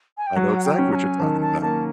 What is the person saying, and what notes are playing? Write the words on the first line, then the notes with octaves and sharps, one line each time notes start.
I know exactly what you're talking about.
G#5
G5
F#3 F#5
F#5
G5
C#4
A#5
G#5
D#3 A5
A5
A#3 A5